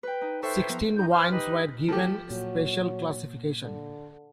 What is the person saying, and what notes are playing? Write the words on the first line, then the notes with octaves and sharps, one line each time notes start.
Sixteen wines were given special classification.
B4 G5
D#4
A4 B4 C5 E5 G5 C#6
F3 B3 A#4
D#4 G6
C5 G#5 D6 F6
D#4 G4 B4
F3 A3 G4
A#2 F#3
D3